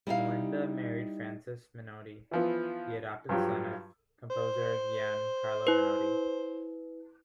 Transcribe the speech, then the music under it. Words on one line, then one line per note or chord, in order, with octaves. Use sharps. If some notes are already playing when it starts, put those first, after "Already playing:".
Malinda married Francis Menotti, the adopted son of composer Gian Carlo Menotti.
G3 D#4 E4 F5
E3 F3 B3
G2 F3 F#3 G4
C5
E4 B4